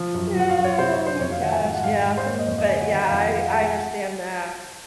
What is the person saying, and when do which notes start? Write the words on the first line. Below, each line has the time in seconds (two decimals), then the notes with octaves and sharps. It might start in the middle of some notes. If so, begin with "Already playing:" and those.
oh my gosh, yeah. But, yeah, I I understand that,
Already playing: F3
0.14 F#2
0.36 F3 F#5
0.50 F5
0.57 F#2
0.64 C#5
0.78 C3 C5
0.93 C#5
0.99 F#3
1.06 C5
1.20 F2 C#5
1.31 F5
1.41 D#3 F#5
1.52 G#5
1.63 G#2 F#5
1.74 F#5
1.84 G#2 F5
2.05 G#2
2.17 C5
2.26 A#3 C#5
2.39 D#5
2.47 F2 C#5
2.58 D#5
2.69 C#3 G#5
2.80 F#5
2.90 D#3 F#5
3.07 F5
3.11 F2 F#5
3.32 G#3 F5
3.43 F#5
3.53 G#3 F#5
3.64 G#5